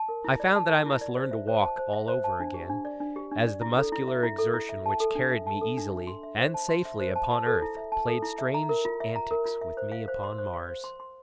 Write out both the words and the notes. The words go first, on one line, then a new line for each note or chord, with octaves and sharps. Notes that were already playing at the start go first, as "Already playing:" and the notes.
I found that I must learn to walk all over again, as the muscular exertion which carried me easily and safely upon Earth played strange antics with me upon Mars.
Already playing: A5
A#4
E4
D5
A5
A#4
E4
D5
C5
E5
C5
A5
C5
E5
C5
A5
D4
G4
D4
D5
D4
G4
D4
D5
E4
A4
E4
E5
E4
A4
E4
E5
A5
A4
D4
E5
A5
A4
D4
E5
C6
E5
C5
A5
C6
E5
C5
A5
A5
A4
E4
E5
A5
A4
E4
E5
A#5
A#4
F4
E5
A#5
A#4
F4
E5
C5
F5
C5
C6
C5
F5
C5
C6
C6